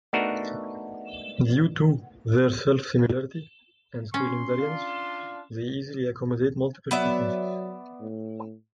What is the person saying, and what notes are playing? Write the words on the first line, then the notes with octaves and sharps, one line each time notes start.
Due to their self-similarity and scale invariance, they easily accommodate multiple frequencies.
A3 B3 D4 D#4 F#4 A#4
C#4 C6
D4 F4
F#3 B3 D5 E5
A2